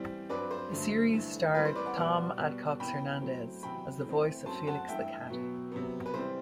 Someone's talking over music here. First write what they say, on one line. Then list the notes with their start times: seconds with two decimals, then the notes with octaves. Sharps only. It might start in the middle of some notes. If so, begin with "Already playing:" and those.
The series starred Thom Adcox-Hernandez as the voice of Felix the Cat.
Already playing: A2 E3 G3 C4 C5
0.29 G2 F#3 C4 B4 D5
0.51 C5
0.71 G2 D3 F#3 A3
1.13 G2 E3 A3
1.55 A2 E3 G3 C4 B4
1.65 C5
1.75 B4 D5
1.86 D5 F#5
1.96 B2 G3 B3 D5 F#5
2.38 B2 G3 B3
2.80 C3 E3 B3 G5 B5
3.21 A2 F#3 A3 C4
3.63 E2 C3 F#3 G5 B5
4.05 C3 E3 A3 C4
4.46 F#2 F#3 A3 C4 A5 C6
4.67 F#5 A5
4.88 G2 E3 A3 E5 G5
5.30 B2 F#3 B3
5.72 C3 F#3 B3
6.06 B4
6.14 C3 E3 G3 C4 C5